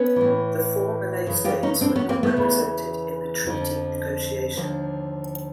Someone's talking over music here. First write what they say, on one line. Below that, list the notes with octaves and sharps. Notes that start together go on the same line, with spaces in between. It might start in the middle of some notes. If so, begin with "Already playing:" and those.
The four Malay states were not represented in the treaty negotiation.
Already playing: B3 C#4
A2 E3
F#2 C#3 E3
F4 G4
C#4 D#4
C4 D4
B3 C#4
A#3 C4
A3 B3
E2 C#3 E3
F2 D3 F3
D#2 D3 F3